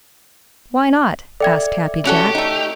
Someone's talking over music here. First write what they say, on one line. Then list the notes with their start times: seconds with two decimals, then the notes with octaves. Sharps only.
"Why not?" asked Happy Jack.
1.40 A4 D5 E5 G5 G#6
2.06 C#4 F#4 G4 A4 F#6 F7
2.35 A3 D#4